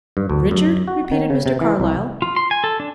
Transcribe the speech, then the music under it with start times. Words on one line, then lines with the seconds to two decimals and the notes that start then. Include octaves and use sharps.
"Richard!" repeated Mr. Carlyle.
0.17 G2
0.30 D2
0.51 F#2
0.88 F#4
1.12 D#3
1.30 C#3
1.46 C3
1.61 E3
1.80 C2
2.22 F4
2.36 C6
2.51 G#5
2.64 A4
2.80 D4